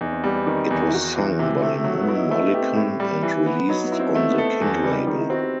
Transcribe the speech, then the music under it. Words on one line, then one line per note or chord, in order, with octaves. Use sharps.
It was sung by Moon Mullican and released on the King label.
E2 D#4
C4
G3 B3
C4
D#3 C4
E2
E4
E2 F#4
E3
C3 E4
A3
F#3
B3
E4
D#4
A3 D#4
B3
G4
C4
A2
G3
E3
B3
F#3 D#4
B3
E4
C4
A3 C4
B3
A4
C4
E2 B3
C4
G3
D#4
D#3 D#4
E4
C4 F#4
G4